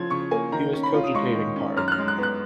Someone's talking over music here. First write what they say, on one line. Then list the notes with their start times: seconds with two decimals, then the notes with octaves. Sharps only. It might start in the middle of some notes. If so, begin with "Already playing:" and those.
He was cogitating hard.
Already playing: C#3 F3 G#6
0.10 C#3 C#6
0.31 A#3 G#5
0.52 D#3 A#5
0.73 C#4
0.83 B5
0.94 F4
1.04 D#6
1.14 G#3 C#6
1.35 D#3
1.56 C#4
1.77 F#2 F6
1.88 F#6
1.92 F6
1.98 G#3
2.08 F#6
2.18 B3
2.23 F#6